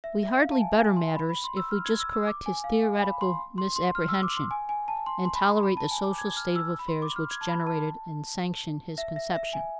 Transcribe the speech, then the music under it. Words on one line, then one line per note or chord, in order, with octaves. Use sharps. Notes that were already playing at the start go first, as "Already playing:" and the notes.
We hardly better matters if we just correct his theoretical misapprehension, and tolerate the social state of affairs which generated and sanctioned his conception.
E5
E5
F5
A5
G#5
G#5
C6
B5
B5
C6
E6
F6
G#6
E6
E6
D6
G#5
F5
G#5
B5
C6
C6
C6
F6
E6
D6
C6
G#5
G#5
A5
C6
C6
B5
C6
B5
A5
G#5
D6
G#6
F6
E6
B5
C6
D6
F6
G#6
A5
B5
A5
E5
E5
E5
G#5